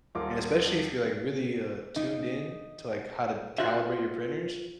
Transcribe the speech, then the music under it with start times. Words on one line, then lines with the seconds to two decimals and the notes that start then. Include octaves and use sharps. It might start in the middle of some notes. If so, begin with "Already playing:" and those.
And especially if you're, like, really, uh, tuned in to, like, how to calibrate your printers,
0.15 D#1 F4 A#4 D6
1.96 D#4
3.58 F4 F#4 C5 E5